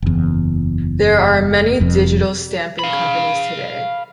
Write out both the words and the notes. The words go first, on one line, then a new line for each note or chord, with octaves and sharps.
There are many digital stamping companies today.
F#1 E2
F1 F2
F5 B5